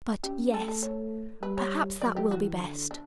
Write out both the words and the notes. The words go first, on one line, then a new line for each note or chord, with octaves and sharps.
'But--yes! perhaps that will be best.'
C#4 G4
A3 A4
A4
C#5
G3 B4
C#5
F#3 D5
G4
E3 F#4
D3
D4